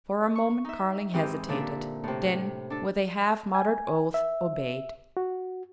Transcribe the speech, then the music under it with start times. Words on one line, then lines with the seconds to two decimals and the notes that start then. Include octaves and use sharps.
For a moment Carling hesitated; then, with a half-muttered oath, obeyed.
0.35 C#6
0.65 D#4 E5
1.14 G#2 E3 C4 G4 D#6
1.49 A#2 D3 D4 E5
2.04 A2 C3
2.70 D4 A4
3.55 G#5
4.14 E5
5.17 F#4